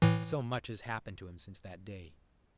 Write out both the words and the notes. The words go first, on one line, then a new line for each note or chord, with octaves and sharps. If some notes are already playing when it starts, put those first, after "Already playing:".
So much has happened to him since that day.
A2 E3